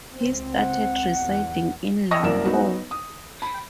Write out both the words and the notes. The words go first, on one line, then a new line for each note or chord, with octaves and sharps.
He started residing in Lahore.
C#2 C4
F#5
E2
D#5 G5 C#6 D#6 E6 A#6
C2 F#2 A#3 A#4 D5 E7
F#3 B3 D#4 F#4
D#6
B5